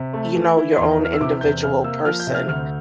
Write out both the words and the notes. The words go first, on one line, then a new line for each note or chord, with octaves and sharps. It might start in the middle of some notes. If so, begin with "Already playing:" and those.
you know, your own individual person
Already playing: C3
A3
E3
E4
E2 C6
A#5
E3
F6
E6
C3 D6
E2 G6
C3 F6
A#3 E6
F3 F6
G6
C3
F6
D2 F6